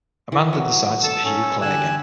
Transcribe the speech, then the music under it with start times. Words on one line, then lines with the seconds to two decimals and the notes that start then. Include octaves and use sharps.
Amanda decides to pursue Clay again.
0.32 E3
0.53 F#3
1.03 A4 A5 E6
1.25 C#4 A4
1.62 D3 G4 G#5 E6 F#6